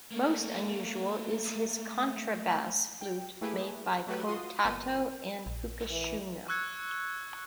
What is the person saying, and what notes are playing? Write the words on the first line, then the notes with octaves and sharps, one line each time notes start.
Most unusual is his contrabass flute made by Kotato and Fukushima.
A3 A#3
G5
A3 A#3 E4 G4 G#4 B4
F#3 A3 F#4 G4 B4
F4 F#4 C6 D#6
G1 A#2 B3 D#7
A#1
E3
C#6 E6 F#6 G#6 C#7